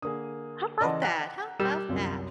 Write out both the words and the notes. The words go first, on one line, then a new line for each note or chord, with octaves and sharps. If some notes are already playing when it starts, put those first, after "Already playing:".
How 'bout that? How 'bout that?
D3 A#3 G#4 D#6
C#3 E3 D5 D#5 F#5 A5 C6
F#5 G5 A#5 D6 F#6
G3 A#4 E6 E7
G1 C2 F#2 F4